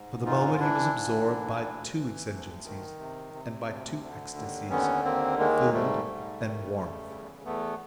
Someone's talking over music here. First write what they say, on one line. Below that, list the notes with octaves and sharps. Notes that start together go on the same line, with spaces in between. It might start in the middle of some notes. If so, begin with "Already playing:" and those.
For the moment he was absorbed by two exigencies and by two ecstasies--food and warmth.
Already playing: G#2
E3 D#4 F4
F4
E3 D4 E4
G#2
E3
D2
E3
D2
D#3
C3
C3
D2
D3
D#2
D3 B3 C#4
D#2 A#3 C4
D#3 G#3 A#3
G#2 G3 A3
G#2
D#3
C#3
E2
E2 A3 B3